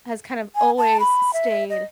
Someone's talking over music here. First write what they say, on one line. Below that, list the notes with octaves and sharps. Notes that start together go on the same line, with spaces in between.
has kind of always stayed
G#5
A5
B5
E5
D#5